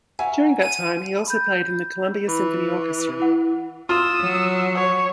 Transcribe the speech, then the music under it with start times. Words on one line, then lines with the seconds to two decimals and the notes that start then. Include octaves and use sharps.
During that time he also played in the Columbia Symphony Orchestra.
0.19 F#4 A#4 E5 F5 G#5
0.61 D#7
1.27 B5 G6
2.28 E3 B5
3.20 E4 F#5
3.89 F4 D#6 E6
4.21 F#3
4.75 C#5